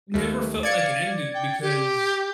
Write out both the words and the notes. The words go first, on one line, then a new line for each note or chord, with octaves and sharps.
never felt like it ended, because
D#2 A3
D5 F5 G#6 C#7
G5
G4